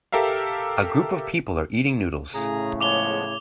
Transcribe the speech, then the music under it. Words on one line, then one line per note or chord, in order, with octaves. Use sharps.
A group of people are eating noddles.
G4 A4 A#4 E5 F5
A2 C#3 G#4 A#5
F3 G#3 B3 C#5 D6 F7 G7